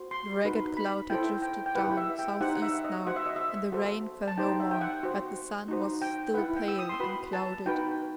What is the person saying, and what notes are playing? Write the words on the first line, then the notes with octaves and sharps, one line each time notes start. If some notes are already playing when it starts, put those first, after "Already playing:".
The ragged cloud had drifted down south-east now and the rain fell no more, but the sun was still pale and clouded.
Already playing: F#4 C5
C6
D#4 F#4 B4
B5
E4 A4 C5 G5
G5
G5
E4 G4 B4 F#5
E5
G5
D#4 G4 C5 F#5
F#5
E5
D#5
F#4 C5 F#5
E5
D#5
E5
F#4 A4 C5
A5
D#4 G4 C5 G5
E5
G5
F#5
F#4 C5
D#4 F#4 C5
G5
E4 B4 F#5
G5
E6
D#6
C6
F#4 B4 B5
A5
D#4 F#4 B4 G5